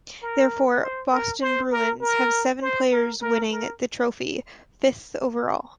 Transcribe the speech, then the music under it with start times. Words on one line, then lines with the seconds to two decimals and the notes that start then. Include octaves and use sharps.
Therefore, Boston Bruins have seven players winning the trophy, fifth overall.
0.22 A#4
0.82 C5
1.12 A#4
1.42 C5
1.71 A#4
2.01 A#4
2.62 C5
2.91 A#4
3.21 A#4
3.51 A#4